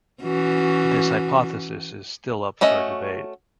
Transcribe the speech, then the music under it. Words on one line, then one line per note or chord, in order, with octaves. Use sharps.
This hypothesis is still up for debate.
E3 C#4 F#4
A3 C#4 F#4 D#5